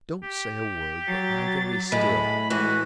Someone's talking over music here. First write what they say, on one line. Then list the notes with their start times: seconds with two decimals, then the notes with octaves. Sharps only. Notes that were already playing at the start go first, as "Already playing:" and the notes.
"Don't say a word, but lie very still."
0.23 G4
1.08 F#3 A6
1.92 A2 G#3 B5
2.50 E3 G#3 F#4